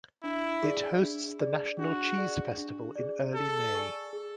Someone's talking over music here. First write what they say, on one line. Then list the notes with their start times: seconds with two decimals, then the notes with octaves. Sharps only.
It hosts the national cheese festival in early May.
0.23 D4 E4
0.62 G#4 D5
1.02 D4
1.40 G#4 D5
1.79 D4 F#4
2.18 G#4 D5
2.58 D4
2.96 G#4 D5
3.35 G#4 A4
3.75 D5 G#5 C#6
4.13 G#4